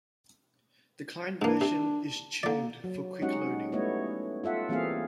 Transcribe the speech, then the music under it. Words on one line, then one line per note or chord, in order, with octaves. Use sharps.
The Client version is tuned for quick loading.
G#2 A#3 D4
C3
D3 A#3 D5
F#3
G#3 C#4 D#4 F#4 G4 F#5
G3 A3 B3 E4 C#5 D#5
F4 A4 E5 F#5
E3 G3 A#3 C4 G#4 F5